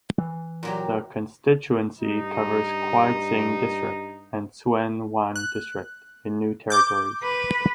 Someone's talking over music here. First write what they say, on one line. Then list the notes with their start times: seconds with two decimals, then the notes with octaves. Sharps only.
The constituency covers Kwai Tsing District and Tsuen Wan District in New Territories.
0.19 E3
0.63 A#2 F#3 G4
1.99 G2 D#4
5.36 F#6
6.70 D6 G6
7.23 B4